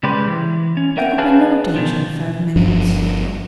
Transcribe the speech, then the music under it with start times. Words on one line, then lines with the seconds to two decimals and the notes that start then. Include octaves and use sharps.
There could be no danger in five minutes.
0.03 C#3 G3 G#3 G4 B4 C5
0.27 E3
0.77 C#4
0.97 C#4 A#4 E5 F#5 G5
1.18 G#4 B4 C#5 F5 G#5 A5
1.74 B2 D#3 F3
2.56 G1 G2 F3 D4